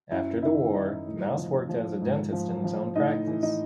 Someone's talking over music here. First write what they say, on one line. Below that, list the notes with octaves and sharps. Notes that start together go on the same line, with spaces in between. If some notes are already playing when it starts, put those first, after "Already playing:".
After the war Mauss worked as a dentist in his own practice.
F#2 E4 E5
D#3 E4 E5
D#3 D#4 D#5
A2
F3
F3
G#2
F3
F3
A2 D#4 D#5
E3
D#4 D#5